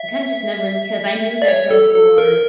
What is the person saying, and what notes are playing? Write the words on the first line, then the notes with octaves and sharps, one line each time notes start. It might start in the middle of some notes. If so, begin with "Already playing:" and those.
kinda just never kn 'Cause I knew that girl for
Already playing: E5
D5
C#5
A4
A4
A#4